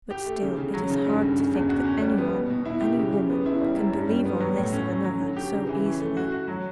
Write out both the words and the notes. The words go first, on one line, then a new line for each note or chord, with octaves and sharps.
But still, it is hard to think that any one--any woman--can believe all this of another so easily.
G4
A3
C#3
C#3
F#3
C#3
G2
D3
C#3
E2
F#4
C#4
G3
B3
B2
B2
E4
G4
C#3
C#3
B3
E4
G3
F#2
G2
G3
B3
F#3
A2
C#4
C#4
F#3
D3
G4
C#3
E3
C#4
A3
F#4
F#4
F#3